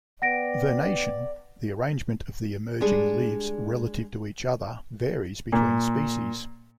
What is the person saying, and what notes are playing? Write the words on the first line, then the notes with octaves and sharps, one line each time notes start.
Vernation, the arrangement of the emerging leaves relative to each other, varies between species.
B3 B4 D5 F#5 G5 A#6 D7
G3 G#3 D4 G#4
A#2